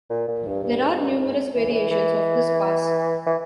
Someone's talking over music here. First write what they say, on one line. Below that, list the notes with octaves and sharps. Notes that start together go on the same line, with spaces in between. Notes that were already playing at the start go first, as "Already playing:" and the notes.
There are numerous variations of this pass.
A#2
A#2
G2
G2
G#2
G2
A#2
G#2
E3
C#3
E3
E3
E3